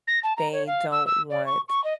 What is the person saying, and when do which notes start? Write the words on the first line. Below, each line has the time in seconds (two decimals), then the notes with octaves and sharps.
they don't want
0.07 A#6
0.23 A5
0.37 A#5
0.52 C#5
0.66 F5
0.91 E6
1.06 E6
1.29 D5
1.46 C#6
1.68 C#6
1.84 D#5